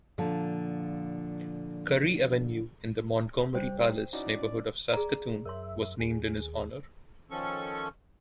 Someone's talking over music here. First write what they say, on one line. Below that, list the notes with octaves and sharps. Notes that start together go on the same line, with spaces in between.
Currie Avenue in the Montgomery Place neighborhood of Saskatoon was named in his honor.
A#2 D3 F3
C2 G3 C5 G5
C#4 D#4 E4 F#4 D5
G#4 D5 A#5
F#2 A#4 C#5 E5 C6
D#2 G#4
D#3 F3 C#4 A4 C#6